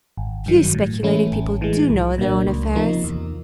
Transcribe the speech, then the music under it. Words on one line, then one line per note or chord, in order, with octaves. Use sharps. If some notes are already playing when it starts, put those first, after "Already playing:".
Few speculative people do know their own affairs.
G#1
G2 D#3 F#3
A2
E3 A3 C#4 E4
A1
A2 E3 G#3
C2
A#2 F#3 A#3 D4
C#2
C3 F3 A#3 D#4
E2